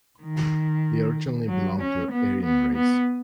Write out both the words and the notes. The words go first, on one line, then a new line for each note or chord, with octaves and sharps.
They originally belong to Aryan Race.
D#3
F#3
C#4
B3
B3
B3